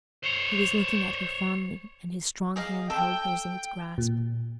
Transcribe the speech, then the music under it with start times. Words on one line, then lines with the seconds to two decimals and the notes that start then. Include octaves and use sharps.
He was looking at her fondly, and his strong hand held hers in its grasp.
0.23 C5 C#5
2.56 G#4 D#5 F5
2.90 A4 G5
3.98 A#2